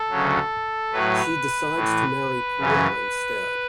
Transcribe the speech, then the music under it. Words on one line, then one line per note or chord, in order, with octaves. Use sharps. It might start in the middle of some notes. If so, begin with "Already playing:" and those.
She decides to marry Pwyll instead.
Already playing: A4
D2 C#3 F#3
A2 F#3 B4
A2 E3
F#2 C#3 E3